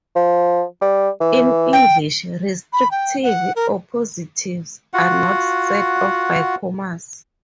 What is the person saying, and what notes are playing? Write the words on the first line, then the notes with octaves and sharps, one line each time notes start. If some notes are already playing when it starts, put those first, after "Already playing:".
In English, restrictive appositives are not set off by commas.
F3
G3
E3
G5
B5
G5
F#5
A#4
F4 F#4 F#5